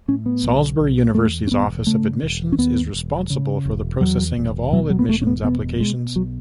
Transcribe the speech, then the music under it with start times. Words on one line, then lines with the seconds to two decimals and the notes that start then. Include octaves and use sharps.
Salisbury University's Office of Admissions is responsible for the processing of all admissions applications.
0.08 A2 C#4
0.26 B3
0.43 B1
0.80 B1
1.15 E2 A3
1.47 C#4
1.51 E1 B3
1.86 C#3 A3
2.23 E1
2.52 C#4
2.58 D#2 B3
2.94 E1
3.30 C#3
3.66 E1
4.01 E2 F#3
4.37 E1
4.72 B2 F#3
4.90 F#3
4.99 B3
5.09 E1 A3
5.22 C#4
5.27 B3
5.44 B2 B3
5.80 B2 G#3
6.15 B1 F#3